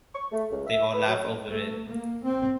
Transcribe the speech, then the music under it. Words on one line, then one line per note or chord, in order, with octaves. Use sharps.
They all laugh over it.
C#6
A3
C#2
E5
B4
F#3
A3
A#3
C4